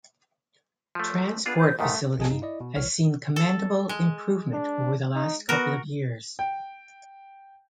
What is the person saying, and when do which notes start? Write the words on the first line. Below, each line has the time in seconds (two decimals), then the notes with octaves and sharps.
Transport facility has seen commendable improvement over the last couple of years.
0.95 F3 A3
1.46 B3 D4 F4 G#4
1.58 C5
1.79 D#2 G#2 D#3 A3
2.18 A1 F3 G#4 D#5 G#5 A5
2.31 G2 D#4
2.42 E4 D5 D#5
2.60 B2
2.76 C2 E3 C#5 F6
3.36 A4
3.89 G#3
4.53 D4
5.15 D#4
5.49 B3 F#4 A#4
6.39 G5